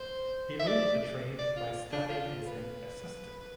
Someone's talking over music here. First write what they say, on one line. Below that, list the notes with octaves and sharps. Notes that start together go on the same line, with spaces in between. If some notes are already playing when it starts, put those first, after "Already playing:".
He learned the trade by starting as an assistant.
Already playing: C5
E5
D5
D5
F4
D4
F4
B4